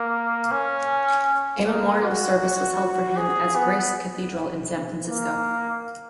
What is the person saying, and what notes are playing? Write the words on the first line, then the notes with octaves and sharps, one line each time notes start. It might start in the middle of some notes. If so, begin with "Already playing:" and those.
A memorial service was held for him as Grace Cathedral in San Francisco.
Already playing: A#3
C#4
A#3
F#4
G#4
B3
A#3